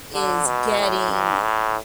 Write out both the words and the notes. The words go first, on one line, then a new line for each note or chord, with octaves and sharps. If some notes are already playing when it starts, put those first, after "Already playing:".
is getting
D3
B2
A2
G2
A2